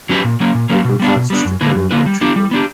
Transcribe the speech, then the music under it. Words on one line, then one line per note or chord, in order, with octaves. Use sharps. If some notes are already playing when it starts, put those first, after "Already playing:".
They confessed to killing the two women.
F#3 C#4 G4 B4
A#2
F#3 A#3 C#4
A#2
F#3 A#3 C#4
B2
G3 B3 D4
B2
G3 B3 D4
F#2
D3 A#3 E4 B4
F#2
D3 A#3 E4 B4
G3
B3 D4 G4
G3
B3 D4 G4